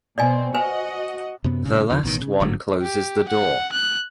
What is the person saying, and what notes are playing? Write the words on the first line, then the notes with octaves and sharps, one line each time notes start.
The last one closes the door.
B2 C4 D5 D#5 G#5
F#4 B4 C5 D#5 F#5 G#5
F#2 C3 B3
G2 A#2 C#3
E2 D3 D#3 F3
A1 B2 D3 D#3
C#3
G1 G#2 D3 F#3
G4
F#5
F#6